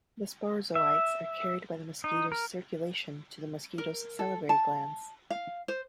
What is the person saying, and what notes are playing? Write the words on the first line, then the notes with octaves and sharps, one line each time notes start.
The sporozoites are carried by the mosquito's circulation to the mosquito salivary glands.
E5
D#4
A#4
A#4
A4
A5
F5
C5